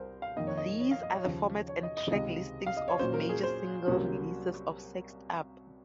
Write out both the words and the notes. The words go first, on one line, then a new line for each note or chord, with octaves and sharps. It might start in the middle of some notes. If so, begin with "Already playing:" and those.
These are the formats and track listings of major single releases of "Sexed Up".
Already playing: C2 C3 A#4 C5
F5
F2 D#3 A#3 D#4 D#5
C#5
D#5
C#5
F5
D#5
C#5
D#2 C#3 F3
C#5
D#5
D#5
C#2 C3 D#3 G#3 D#5
F5
D#5
C#5
A#2 F#3 C#4 C5
A#4
G#4
C5
C2 C3 F#3 A#3 C#4